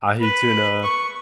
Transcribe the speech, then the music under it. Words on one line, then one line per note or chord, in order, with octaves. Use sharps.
ahi tuna,
B4
C#6